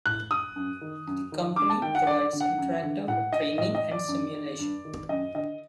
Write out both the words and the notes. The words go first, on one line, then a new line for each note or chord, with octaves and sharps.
The company provides "Interactive Training and Simulation".
A2 F#6
D#6
F#2
D#3
F#2
D#3
G2 D6
A5
D#3 G5
F#5
G2 D5
D3
F#5
F#2
D3
A2 F#5
D#5
A2 D#5
D#5
D5
F#2
D#3
G2
D#3
F#2 D#5
D3 D#5